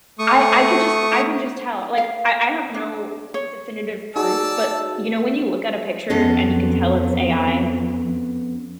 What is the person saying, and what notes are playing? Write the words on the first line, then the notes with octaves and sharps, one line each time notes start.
I I could just I can just tell, uh, like, I I have no definitive proof, but, you know, when you look at a picture and you can tell it's AI
A3 C#6 D#6
F5
D4
C#5
D#4 F#4 G#4 D5 A5 E6
F2 B3 C#4 A4